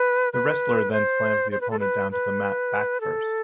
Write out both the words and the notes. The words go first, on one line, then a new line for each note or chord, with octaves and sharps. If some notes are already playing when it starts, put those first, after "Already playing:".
The wrestler then slams the opponent down to the mat back first.
Already playing: B4
B4
C5
C5
B4
A4
B4
B4
A4